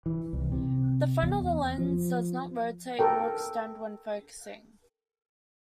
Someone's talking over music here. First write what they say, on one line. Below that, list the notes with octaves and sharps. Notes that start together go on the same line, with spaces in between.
The front of the lens does not rotate nor extend when focusing.
E3
C2
C3
E2
F3
A4 A#4 G5